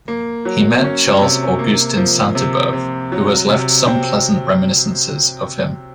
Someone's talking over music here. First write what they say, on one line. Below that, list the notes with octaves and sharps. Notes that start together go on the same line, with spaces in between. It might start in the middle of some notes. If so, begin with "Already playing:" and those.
He met Charles Augustin Sainte-Beuve, who has left some pleasant reminiscences of him.
A#3
F#3
C#4
C3
A#3
F3
C3
C3
F#3
C3
C4